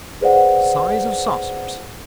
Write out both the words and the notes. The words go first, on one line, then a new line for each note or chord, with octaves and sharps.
Size of saucers.
G#4 B4 C5 D5 F5 F#5